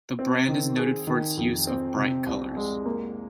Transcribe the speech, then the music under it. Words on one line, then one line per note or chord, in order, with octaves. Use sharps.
The brand is noted for its use of bright colours.
C4
D#3
G#4
D#3
F2
C4
C3
C2
G#3
A#3